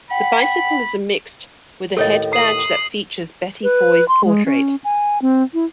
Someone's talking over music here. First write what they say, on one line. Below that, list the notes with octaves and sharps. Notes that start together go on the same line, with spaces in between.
The bicycle is a mixte with a headbadge that features Betty Foy's portrait.
F#5 G5 B5
D#2 A2 A4 C#5 D#5
D#6 C7 F#7
B4
C6
G#3
C#4
G#5
C4
E4